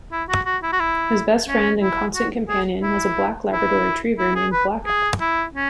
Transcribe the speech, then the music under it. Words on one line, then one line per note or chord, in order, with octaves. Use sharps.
His best friend and constant companion was a black Labrador Retriever named Blackout.
E4
F#4
F#4
E4
F#4
E4
C#4
E4
F#4
G#4
E4
E4
E4
G#4
B4
G#4
E4
C#4